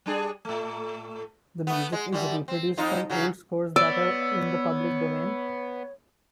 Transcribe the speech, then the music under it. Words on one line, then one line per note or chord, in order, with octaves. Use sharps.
The music is reproduced from old scores that are in the public domain.
G3 D4 G#4
A2 A3
A3 B3
G#3
F#2 G3
C4
F2 D#4 F4
C#3 F#3
B3 C#5 D5 E6